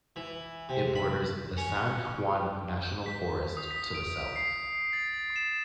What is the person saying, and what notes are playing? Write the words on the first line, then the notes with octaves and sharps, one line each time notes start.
It borders the San Juan National Forest to the south.
E3
C3
B5
C#4
G6
B6
D#6
B6
D7
C7
A6
E7